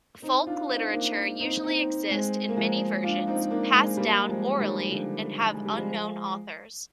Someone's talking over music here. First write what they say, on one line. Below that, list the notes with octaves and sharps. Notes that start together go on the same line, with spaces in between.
Folk literature usually exist in many versions, passed down orally, and have unknown authors.
C4 D#4
D4 F4
C4 D#4
A#3 D4
C4 D#4
C4 D#4
G#3 C4
A#3
F3 G#3
D4 F4
C4 D#4
C4
A#3 D4
G#3 C4
G3 A#3
F3 G#3
D#3 G3
D3 F3
G#3
G3
F3 G#3